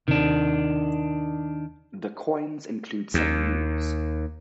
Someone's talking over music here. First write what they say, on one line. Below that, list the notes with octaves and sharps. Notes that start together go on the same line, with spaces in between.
The coins include some mules.
D#2 C3 D#3 D4
D#2